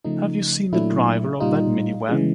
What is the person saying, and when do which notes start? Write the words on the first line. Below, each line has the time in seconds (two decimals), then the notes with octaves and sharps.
Have you seen the driver of that min-van?
0.04 C#3 F3 A3 D#4
0.73 A#2 F#3 A3 D4 E4
1.40 A#2 G3 D#4 F4
2.09 C#3 E3 G#3